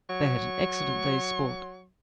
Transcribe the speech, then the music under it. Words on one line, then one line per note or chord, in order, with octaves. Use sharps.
They had an excellent day's sport.
F#3 C#6